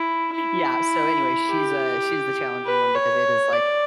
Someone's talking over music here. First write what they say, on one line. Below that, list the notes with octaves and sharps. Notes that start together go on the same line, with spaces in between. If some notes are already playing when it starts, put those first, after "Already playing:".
Yeah, so anyway, she's, uh, she's the challenging one because it is like,
Already playing: E4
E4
G4
B4
C#5
D5